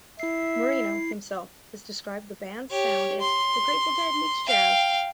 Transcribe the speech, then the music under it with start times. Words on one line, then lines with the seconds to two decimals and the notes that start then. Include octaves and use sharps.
Marino himself has described the band's sound as "The Grateful Dead meets jazz".
0.20 E4 E5 C7
2.70 G4 C#5
3.20 C6
4.48 F5 G5